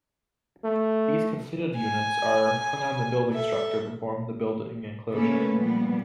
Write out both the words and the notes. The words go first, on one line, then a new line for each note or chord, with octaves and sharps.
These completed units are hung on the building structure to form the building enclosure.
A3
G#5
A4 E5
C#3 A3 A#3 C#4 A4 B4
A#2 F3 G3 B3